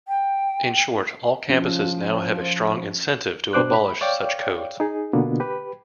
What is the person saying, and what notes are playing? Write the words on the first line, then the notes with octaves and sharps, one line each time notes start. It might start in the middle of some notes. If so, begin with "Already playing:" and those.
In short, all campuses now have a strong incentive to abolish such codes.
G5
F3 C#4
B2 D4 C5 D6 F#6
B5
C#5 D5 F5 G5
D#4 G#4
B2 D3 A#3 B3 D4 F4
G4 B4